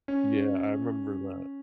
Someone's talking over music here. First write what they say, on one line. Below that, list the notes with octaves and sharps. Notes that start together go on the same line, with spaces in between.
Yeah, I remember that.
C#4